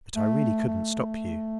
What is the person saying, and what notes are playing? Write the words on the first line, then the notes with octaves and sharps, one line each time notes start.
But I really couldn't stop you.'
A3
A3